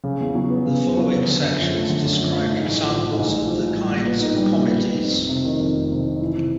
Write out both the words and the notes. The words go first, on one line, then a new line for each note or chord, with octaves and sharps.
The following sections describe examples of the kinds of "Comites".
C#3
E2
F#3
B3
C#3
E2
F#3
B3
D3
F#2
F3
A3
D3
F#2
F3
A3
G#2
A1
F3
A1
G#2
A1
F3
A1
G3
A#2
B3
D#4
G3
A#2
B3
D#4
F2
F1
C3
D#3
F2
F1
C3
D#3
E3
C3